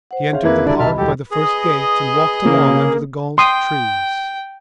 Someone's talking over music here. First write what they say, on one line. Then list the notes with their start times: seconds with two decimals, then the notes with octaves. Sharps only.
He entered the Park by the first gate and walked along under the gaunt trees.
0.11 C5 F#5
0.32 C#4 G#4 C5 E5 F5
0.44 F2 A#3 E4 B4 G#6
0.66 D3 G3 D4 E4 F#4 D5 E5 A#5
0.79 D#1 C2 D#5 E5 A5 B5 F6
0.98 E1 F#4 G4 A4
1.31 G#4 B4 D#5
2.45 C#3 A#3
3.38 G5 C6 D#6